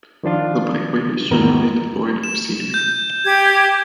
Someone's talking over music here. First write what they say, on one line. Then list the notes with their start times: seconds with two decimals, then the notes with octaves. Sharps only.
The bikeway is generally devoid of scenery.
0.23 D#3 F3 D4 F4
1.31 E2 G#2 D#3 B3 A#4 A#5
2.24 E7
2.74 G6
3.24 G4 G#6